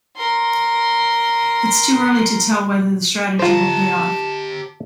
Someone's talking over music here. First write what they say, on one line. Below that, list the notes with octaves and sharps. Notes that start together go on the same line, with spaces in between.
Its too early to tell whether the strategy will pay off.
A#4 C6
F4 G4 C5 A5 A#5